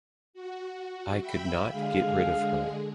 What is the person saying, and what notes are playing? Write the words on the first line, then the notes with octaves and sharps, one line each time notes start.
I could not get rid of her.
F#4
E5 G5 B5
D3 G#3 G#4 F5